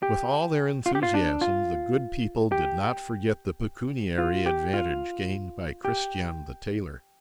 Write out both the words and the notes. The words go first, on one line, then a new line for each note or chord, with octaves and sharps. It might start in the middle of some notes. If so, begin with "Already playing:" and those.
With all their enthusiasm, the good people did not forget the pecuniary advantage gained by Christian the tailor.
G4
F4
G4
F4
D4
F4
G4
F4
G4
F4
G4